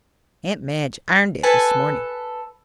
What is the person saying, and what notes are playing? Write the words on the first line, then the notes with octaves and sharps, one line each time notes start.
"Aunt Madge ironed it this morning."
A4 B4 G#5 A5